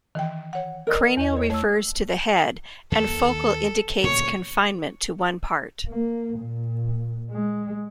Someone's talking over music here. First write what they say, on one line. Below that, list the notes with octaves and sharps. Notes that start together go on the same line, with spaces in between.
Cranial refers to the head and focal indicates confinement to one part.
D#3 E3 G5
C#5 F#5
A#4 D5 D#5
E2 D#5
A#4 C#5
A3 C#5 E6
D#2 D#3 A#3 A4
D1 A#2 C#3 C#5
A#3
A#2
G#3